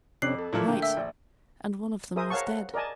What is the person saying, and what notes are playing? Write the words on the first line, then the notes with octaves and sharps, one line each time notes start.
"Right! and one of them was dead."
F2 C3 C#4 D4 D6 F#6 C7
A4
A#2 E3 F3 A3 A#3
D3 G5
E5 E6
A#1
G#4 A#4 C5 E5 D#6
A#4 C#5 F5 F#5 A5 C#6
F#5
A#4 D5 D#5 G#5 A5